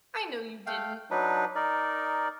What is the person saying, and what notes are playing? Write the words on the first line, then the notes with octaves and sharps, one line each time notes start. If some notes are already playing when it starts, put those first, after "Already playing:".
I know you didn't.
A3 F5 G5
F#3 D4 D#4 B4
D#4 A#4 D5